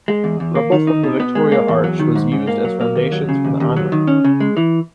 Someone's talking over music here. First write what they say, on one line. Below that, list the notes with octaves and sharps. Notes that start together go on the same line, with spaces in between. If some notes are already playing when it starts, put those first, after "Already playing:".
Rubble from the Victoria arch was used as foundations for the on-ramp.
G#3
E2
E2
A#3
D#3
D#4
B2
B3
G#3
A#3
E2
F#3
D#3
G#2
G#2
A#3
F#3
A#3
D#2
F#3
C#3
D#2
D#2
F#3
D#3
C#4
C#3
G#3
E3